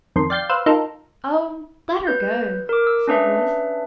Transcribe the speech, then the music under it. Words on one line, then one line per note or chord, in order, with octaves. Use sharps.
"Oh, let her go!" said Louis.
F2 D#3 C6
D5 F5 G5 G6 A6 C7
B4 C5 F5 E6
D#4 F4 A4 A#4
B4 G6
A#4 D6
E6
C#4 D4 B4 E5